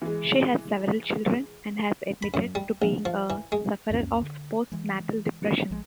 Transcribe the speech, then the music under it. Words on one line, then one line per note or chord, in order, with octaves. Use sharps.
She has several children and has admitted to being a sufferer of post-natal depression.
E3 G#3
B5
F#2
G3
A#1
F3
E3
G#3
C#2 F#2 A#3 C#4
D3
E3 G#3
A#1 F3 G#3